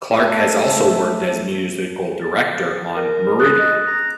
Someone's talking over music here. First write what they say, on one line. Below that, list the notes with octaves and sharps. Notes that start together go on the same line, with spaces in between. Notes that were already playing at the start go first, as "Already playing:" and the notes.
Clarke has also worked as Musical Director on "Meridan".
A3
A6
A#4
D#6 F#6 A6
D#5
A#5